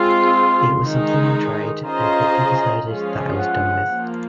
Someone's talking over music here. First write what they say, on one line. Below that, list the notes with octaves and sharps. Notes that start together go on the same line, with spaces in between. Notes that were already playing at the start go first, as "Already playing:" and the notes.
It was something that I tried and quickly decided that I was done with.
Already playing: G#3 C4 F4 C6
D#3 G#3 D#4
C#4 F4 G#4 C5 D#5 A#5
F3 G#3 C#4 F4 G#4
F#5
F3 A#3 F4